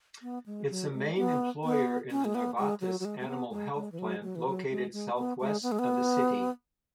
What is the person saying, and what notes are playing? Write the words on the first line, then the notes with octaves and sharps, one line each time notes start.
Its main employer is the Novartis Animal Health plant located southwest of the city.
B3
G#3
F#3
G#3
B3
B3
C#4
G#3
B3
G#3
F#3
F#3
G#3
G#3
B3
G#3
G#3
E3
F#3
F#3
E3
F#3
G#3
G#3
B3
G#3
B3
G#3
B3